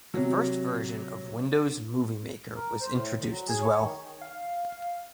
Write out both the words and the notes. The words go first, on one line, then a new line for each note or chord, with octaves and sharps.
The first version of Windows Movie Maker was introduced as well.
C3 F#3
A#4
C5
A2
D2
F#3
G#4
C#5
D#3
F5